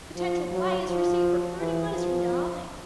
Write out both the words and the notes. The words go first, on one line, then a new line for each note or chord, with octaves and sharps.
Potential players received recruiting letters from Darling.
F3
F#3
F3
E3
F3